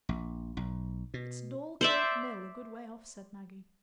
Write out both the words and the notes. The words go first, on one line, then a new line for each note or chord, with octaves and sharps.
"It's Dorlcote Mill, a good way off," said Maggie.
A#1
B1
B2
C5 D5 E5